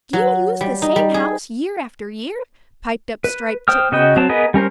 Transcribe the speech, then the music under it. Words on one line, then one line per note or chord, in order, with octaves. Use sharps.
"Do you use the same house year after year?" piped up Striped Chipmunk.
F#3
G3
D#4
G3
G#4
B4
C5 G5 D#6 F6
C#3 F#4 D#5 G5
F#3 C4 A5
B3 G#4 A#4 B4 D#5
G3 C#4 A#4 C5